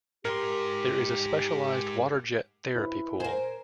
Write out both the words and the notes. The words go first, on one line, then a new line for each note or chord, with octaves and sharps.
There is a specialised water jet therapy pool.
G#2 G4 A#4 C6
E4 B4
A#4 C5 G#5